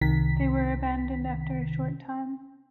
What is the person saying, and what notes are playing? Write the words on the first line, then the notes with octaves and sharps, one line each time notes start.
They were abandoned after a short time.
C2 C3 D#3 B6